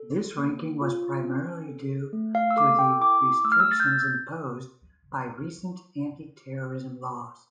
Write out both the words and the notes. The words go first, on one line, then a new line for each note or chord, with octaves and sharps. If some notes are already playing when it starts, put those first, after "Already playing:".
This ranking was primarily due to the restrictions imposed by the recent anti-terrorism laws.
Already playing: A4
A#3
F4
C#4
A4
A3
F5
E6
A4 D6
G5
E4 D6
A3 E6
F6
E6
A6
G6